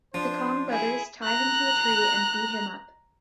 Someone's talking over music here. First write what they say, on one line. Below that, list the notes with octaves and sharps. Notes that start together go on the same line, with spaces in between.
The Kong brothers tie him to a tree and beat him up.
F3 D4 C5
E4 G#4
A#5 F#6